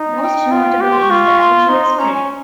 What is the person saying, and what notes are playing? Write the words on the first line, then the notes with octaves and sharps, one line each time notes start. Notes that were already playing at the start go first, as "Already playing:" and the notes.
Most notable is the Algiers Ferry.
Already playing: D#4
G#5
G5
F4
G4
C6
C#6
F4
C6
D#4
C#4 A#5
G#5